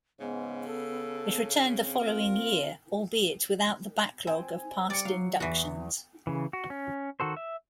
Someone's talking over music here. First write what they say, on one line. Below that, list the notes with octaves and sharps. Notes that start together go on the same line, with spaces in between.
It returned the following year, albeit without the backlog of past inductions.
G#2 C#3 B3
A4
C4
F4 A#4
C4 G#5
G3 D5 C#7
F#3 F5
E2 E3 F#4
C#3 E3
F#4
C#4
D#3 F#4 A4 C5
E5